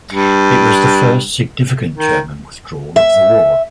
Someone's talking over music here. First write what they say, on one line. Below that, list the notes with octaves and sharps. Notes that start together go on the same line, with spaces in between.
It was the first significant German withdrawal of the war.
G2
D#3
E5